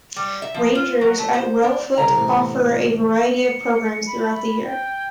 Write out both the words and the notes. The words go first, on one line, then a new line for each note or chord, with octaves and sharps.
Rangers at Reelfoot offer a variety of programs throughout the year.
G3
E5
F3
F4
F#3
A3
C5
D4
C2 C#3 G#3 A#5
A1 C3
C#7
B5
G5